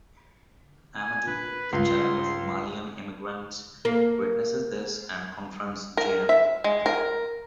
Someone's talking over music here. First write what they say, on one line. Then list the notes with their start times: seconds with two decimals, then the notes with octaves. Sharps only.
Amadou, the child of Malian immigrants, witnesses this and confronts Jean.
0.96 G#5
1.27 D4 B4
1.73 C#2 G2 G#3 C6
3.85 A#3
5.97 A#4
6.29 E5
6.64 G#3
6.86 A#4